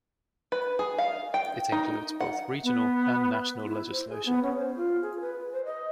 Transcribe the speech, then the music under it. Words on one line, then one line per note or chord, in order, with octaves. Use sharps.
It includes both regional and national legislation.
B4
G#4
F5
G5
D#4
F#5
B3
E4
C5
G#4
B3
C#4
C5
F4
G#4
B4
C5
D#5